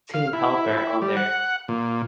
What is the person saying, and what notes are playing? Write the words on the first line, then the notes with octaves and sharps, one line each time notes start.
team helper on there.
F5
E4
E4
G3
F#5
A#2